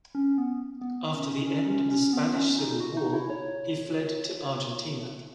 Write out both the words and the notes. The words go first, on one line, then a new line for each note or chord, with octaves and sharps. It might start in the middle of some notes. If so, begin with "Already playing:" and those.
After the end of the Spanish Civil War he fled to Argentina.
C#4
B3
B3
C#4
C#4
C#4
C#4
B3
C#4
D#4
F#4
D#4
E4
C#5